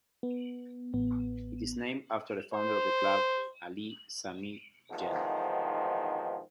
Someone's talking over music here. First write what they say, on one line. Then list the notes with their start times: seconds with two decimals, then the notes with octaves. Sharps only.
It is named after the founder of the club, Ali Sami Yen.
0.23 B3
0.93 A1 B3
2.54 C5
4.91 E2 G#2 C3 D#3 F3